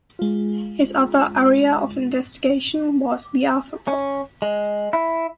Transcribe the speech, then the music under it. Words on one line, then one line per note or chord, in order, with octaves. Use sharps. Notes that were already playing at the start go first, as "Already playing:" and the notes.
His other area of investigation was the arthropods.
G#3 F4
C#4
G#3
E4